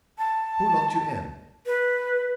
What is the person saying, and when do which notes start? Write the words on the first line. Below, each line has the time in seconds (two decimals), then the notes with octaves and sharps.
"Who locked you in?"
0.18 A5
1.66 B4